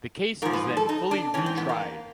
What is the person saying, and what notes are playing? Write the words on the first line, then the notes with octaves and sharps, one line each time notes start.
The case is then fully retried.
G#2 F3 A#4
B4
A4
D#4
D4
G#2 E3 C#4
C4
B3
A#3